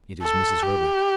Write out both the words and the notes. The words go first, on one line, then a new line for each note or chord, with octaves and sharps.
"It is Mrs. Herbert."
A4
G4